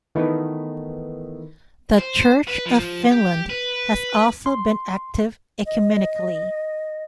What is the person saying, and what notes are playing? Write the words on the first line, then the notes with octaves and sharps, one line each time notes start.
The Church of Finland has also been active ecumenically.
D#3 E3 A3 B3
C5
B4
F3
G4
B4
C6
D#5